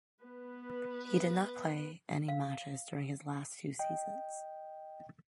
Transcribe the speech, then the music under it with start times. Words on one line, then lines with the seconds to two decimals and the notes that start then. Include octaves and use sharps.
He did not play any matches during his last two seasons.
0.24 B3 B4
2.28 F5
3.79 D#5 G5